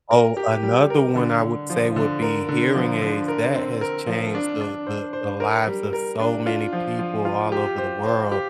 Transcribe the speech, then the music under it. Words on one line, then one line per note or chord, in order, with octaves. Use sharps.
Oh, another one I would say would be hearing aids. That has changed the the the lives of so many people all over the world.
A#4
G4
G3
A#4
D3
D3
F3
D3
A#4
D3
F3
D3
A#4
C4
A#4
F3
D4
D4
C5
C5
A#4
G3
A#4
D4
F4
F3
F3
F4
G4
C5
C5
G4